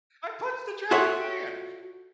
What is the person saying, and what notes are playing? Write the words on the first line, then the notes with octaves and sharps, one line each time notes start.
I punched the drowning man!
F4 F#4 A4 C#5 E5 F#5